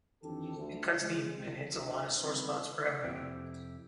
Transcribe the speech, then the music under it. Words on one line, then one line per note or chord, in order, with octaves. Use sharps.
It cuts deep, and hits a lot of sore spots for everyone.
F2 D#3 E3 D4 G4 A4
D2
C#3 G#3
C2 F3 C4
F#1 D2
D#3 G3 C4 C#4 E4 B4
F2 C3 E4 G4